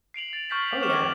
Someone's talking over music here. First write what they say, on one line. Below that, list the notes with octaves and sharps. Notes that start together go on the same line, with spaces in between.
Oh, yeah.
C7 D7 F7 F#7
A6
C#6 F6 G6 A6 B6 F7
C7 F#7
D6 F6 E7 F7
B6